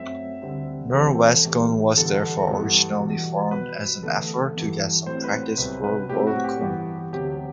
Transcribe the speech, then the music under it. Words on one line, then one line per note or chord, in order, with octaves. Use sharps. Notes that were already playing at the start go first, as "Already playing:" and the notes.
Norwescon was therefore originally formed as an effort to get some practice for Worldcon.
Already playing: F#2 F#3 A3 C4 E5
D2 D3 G3 C4
E2 C3 G3 C4 A4
A2 E3 G3
E2 D3 G3 B3 A4
G2 E3 B3
E2 B2 G3
B2 G3 B3 B4
E2 D3 A3 A4
G2 E3 B3
A2 F#3 C4 C5
B4
C2 B2 F#3 C4 B4
B4
A2 F#3 A3 C4 G4
F#4
G4
G2 E3 B3 G4
D2 C3 F#3 G4